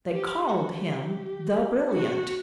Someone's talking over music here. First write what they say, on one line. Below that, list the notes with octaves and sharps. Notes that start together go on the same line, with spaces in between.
They called him THE BRILLIANT.
G4
F#4
G4
F#4